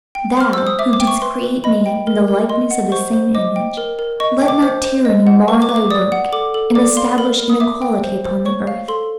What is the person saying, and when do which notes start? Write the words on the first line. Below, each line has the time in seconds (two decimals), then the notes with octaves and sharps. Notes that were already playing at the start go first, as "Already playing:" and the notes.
Thou, who didst create Man in the likeness of the same image, let not tyranny mar Thy work, and establish inequality upon the earth.
0.15 G5
0.37 C5 F6
0.53 C5 E6
0.67 D#6
0.79 E5 D6
0.93 D6
1.00 G5
1.07 C#6
1.22 B4 C6
1.43 B4
1.64 D#5 B5
1.86 G5
2.07 A#4
2.28 A#4
2.49 D#5 C6
2.71 F#5
2.92 C5 C#6
3.13 C5
3.35 D#5 D6
3.56 G5
3.77 A#4
3.99 A#4
4.20 D#5 C#6
4.42 G5
4.48 D6
4.63 C5
4.84 C5
5.05 D#5
5.27 F#5
5.48 B4 C#6
5.62 D6
5.69 B4
5.76 D6
5.91 D5 D#6
6.12 F#5
6.32 A4 D6
6.54 A4
6.75 D5 D6
6.97 F5 C6
7.18 A#4 B5
7.39 A#4
7.49 D#6
7.60 E5 D6
7.82 G5
8.03 C5
8.24 C5
8.46 C#5 C#6
8.67 F5
8.88 A4 C6